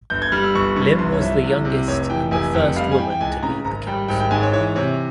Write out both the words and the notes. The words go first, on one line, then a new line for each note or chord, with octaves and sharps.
Lim was the youngest and the first woman to lead the council.
G1 G6
G#6
G3 F6
E6
G1 C#6
G2 C#6
C2 C6
C#5
F3 E5
C2
C3
F1 C#5
E3 G5
F1 G#5
F2 G5
G3 F5
G#5
E3 G5
G5
C#2 G#5
C#3 A#5
G#1 A#5
G3 G5
G#1 G5
G5
G#2 G#5
C#5
E3 C#5
C3 C#5